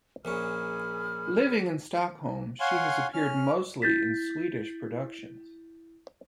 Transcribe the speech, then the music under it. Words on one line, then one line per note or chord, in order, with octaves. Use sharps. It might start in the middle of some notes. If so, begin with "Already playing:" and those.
Living in Stockholm, she has appeared mostly in Swedish productions.
A#1 A#2 C#4 G#4 B5 F6
C#5 F5 F#5 G#5 C6
C#4 F6
E4 G6 A6 B6